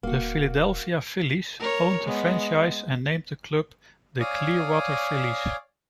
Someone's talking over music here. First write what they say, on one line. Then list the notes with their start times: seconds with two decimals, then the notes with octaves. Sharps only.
The Philadelphia Phillies owned the franchise and named the club the Clearwater Phillies.
0.03 D#1 A#3 F#4
1.60 A#4 C#5
2.04 G#3 B3
4.20 C#5 D5 F5 G#5 D#6